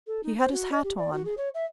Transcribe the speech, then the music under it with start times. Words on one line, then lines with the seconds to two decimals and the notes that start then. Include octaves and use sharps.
He had his hat on.
0.07 A4
0.23 D#4
0.38 C5
0.52 F#4
0.72 D#5
0.84 G4
0.98 D5
1.13 F#4
1.25 G#4
1.37 C#5
1.54 E5